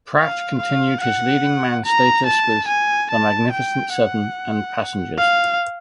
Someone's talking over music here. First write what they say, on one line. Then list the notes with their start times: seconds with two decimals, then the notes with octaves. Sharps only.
Pratt continued his leading man status with "The Magnificent Seven" and "Passengers".
0.18 F5
0.59 F5
1.01 F#5
1.85 A#5
2.26 A5
2.68 G#5
3.11 A5
3.52 G5
3.94 F#5
5.18 F5